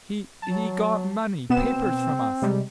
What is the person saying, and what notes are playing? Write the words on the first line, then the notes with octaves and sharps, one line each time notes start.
He--he got money--papers--from us.
F#3 A5
B2 B3 C4 E7
C3 G3 G#3